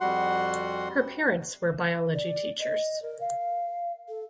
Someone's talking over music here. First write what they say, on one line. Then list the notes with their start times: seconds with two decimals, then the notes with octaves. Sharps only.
Her parents were biology teachers.
0.01 F2 G3 F#4 F#5 C6
2.14 D5
2.60 D#5
3.02 A#4
3.21 F5
4.08 A4